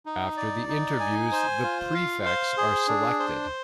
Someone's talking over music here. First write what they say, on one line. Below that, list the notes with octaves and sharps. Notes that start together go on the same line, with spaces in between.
After the interviews the prefects are selected.
D#4
D5
D#4
G#5
C5
F4
F5
C5
G#4
D4
C5